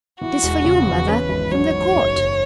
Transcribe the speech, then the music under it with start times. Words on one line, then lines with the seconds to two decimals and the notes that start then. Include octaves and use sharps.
"It is for you, mother--from the Court."
0.21 E3 F#4
0.43 E1
0.64 C#3
0.87 E2
1.08 C#4 B4
1.29 G#1
1.51 F#3 C#5
1.73 G#2
1.95 F#1
2.17 F#1